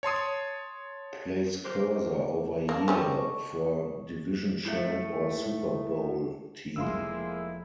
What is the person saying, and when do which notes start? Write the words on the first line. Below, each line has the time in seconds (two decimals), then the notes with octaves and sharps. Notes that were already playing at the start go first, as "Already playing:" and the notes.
Place cursor over year for division champ or Super Bowl team.
0.03 C#5 A5 C6 D#6
1.64 A#4 C5 D6
2.69 A#3 A5 A#6
2.88 G3 C4 C#4 D#5 C#6 D6
4.65 A2 A3
6.76 F1 G#3 A#3 E4 C6 E6